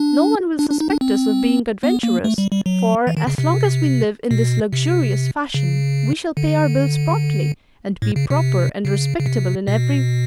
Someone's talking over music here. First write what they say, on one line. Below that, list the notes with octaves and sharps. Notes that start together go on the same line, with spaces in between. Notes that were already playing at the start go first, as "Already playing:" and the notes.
No one will suspect us of being adventurers, for as long as we live in this luxurious fashion we shall pay our bills promptly and be proper and respectable in every way.
Already playing: D4
D4
D4
D#4
D4
C4
B3
A#3
A3
G3
G3
F#3
E3
D#3
C#3
C3
B2
C3
C#3
D3
A2
C#3
C3
C#3
C#3
C3
B2